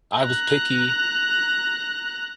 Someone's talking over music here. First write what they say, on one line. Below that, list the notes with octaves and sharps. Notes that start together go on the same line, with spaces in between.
I was picky,
A#5 F#6